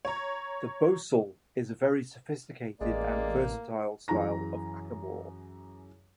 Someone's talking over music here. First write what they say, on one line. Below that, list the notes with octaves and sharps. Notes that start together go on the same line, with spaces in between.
The bosal is a very sophisticated and versatile style of hackamore.
C#5 A#5
A1 G#3 A#3 D5
F#2 E3 G#4 A#5 A#6